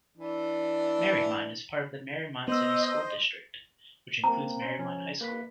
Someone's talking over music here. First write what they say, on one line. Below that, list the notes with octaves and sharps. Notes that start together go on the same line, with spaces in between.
Mariemont is part of the Mariemont City School District, which includes Mariemont High School.
E3 D4
B3 C5 D#5 E6
A#3 C4 A#5
C#4 C5
F3 C#4
A#3 B4 B6